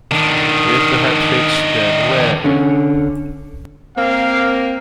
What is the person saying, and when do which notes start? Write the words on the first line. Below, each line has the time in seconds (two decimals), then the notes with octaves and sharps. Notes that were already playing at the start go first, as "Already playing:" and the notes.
If the hat fits, then wear it!
0.11 D#3 D4
2.44 D3 C#4
3.98 A#3 C4 F5